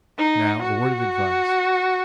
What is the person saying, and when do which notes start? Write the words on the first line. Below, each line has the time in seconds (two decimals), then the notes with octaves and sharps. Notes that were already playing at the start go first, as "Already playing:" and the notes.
"Now, a word of advice."
0.18 D#4
0.62 F#4